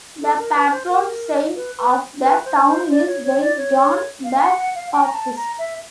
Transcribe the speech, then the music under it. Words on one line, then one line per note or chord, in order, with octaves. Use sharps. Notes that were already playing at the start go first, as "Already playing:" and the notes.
The patron Saint of the town is Saint John the Baptist.
A4
A#4
B4
C5
A#4
B4
B4
B4
C5
C5
D5
C#5
C#5
D5
C#5
F5
F#5
F#5
F5
G5
A#5
A5
A#5
E5